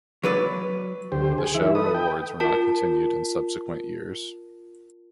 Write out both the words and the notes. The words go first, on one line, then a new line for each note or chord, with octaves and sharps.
The show and awards were not continued in subsequent years.
F#3 B4 D5
D2 G4 C5
G#4
E3 D#4 E5
A4 B4 D#6
G5
F4 A#4 A5